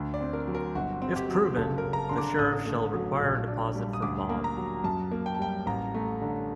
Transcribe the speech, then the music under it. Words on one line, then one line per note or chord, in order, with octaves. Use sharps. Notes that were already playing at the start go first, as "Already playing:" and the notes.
If proven, the Sheriff shall require a deposit from Bob.
Already playing: D2
D5
C4
A#4
F#3
A#4
G1 F#4
C4
G4
F#3
F#1 A4
A#4
F#1
A#5
A5
D3 C6
D6
A1 D#6
A3
F#3
A#1
D4
G3
D#6
D2 D6
A#3
A#5
F#3
F#2 A5
A#3
G5
A5
G3 G5
A1 A#5
A3
D3